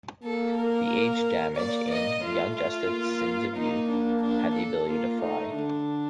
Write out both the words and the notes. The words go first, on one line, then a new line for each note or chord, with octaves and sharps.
The aged Damage in "Young Justice: Sins of Youth" had the ability to fly.
A#3 A4
A#4
A#3 D5
D#5
A3 F4
F4
A#3
A#3 D#4
D4
D4
A4
A#3 F4
A3 D#4
D3 D4